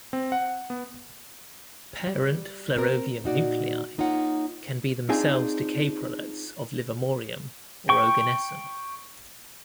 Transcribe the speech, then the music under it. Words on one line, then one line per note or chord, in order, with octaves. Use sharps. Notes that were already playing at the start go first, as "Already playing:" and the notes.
Parent flerovium nuclei can be themselves decay products of livermorium or oganesson.
C4
F#5
B3
G3
C4 A#4
A#2 D#4 F#4 D5
A#3 D#4 F4 C#5 F#5
C4 D4 D#4 F4 G#4
G5 C#6